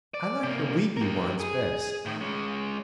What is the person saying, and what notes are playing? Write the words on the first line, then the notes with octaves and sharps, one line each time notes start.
I like the weepy ones best.
D5
C3 A#3
G4 A#4
G#4
A2 D#3
G#3 C#4